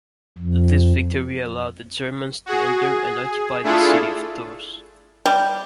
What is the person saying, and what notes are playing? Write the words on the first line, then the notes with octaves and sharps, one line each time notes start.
This victory allowed the Germans to enter and occupy the city of Tours.
F2
F#4 G#4
G#4
A3 D4 E4 F4 G#4 A4
G3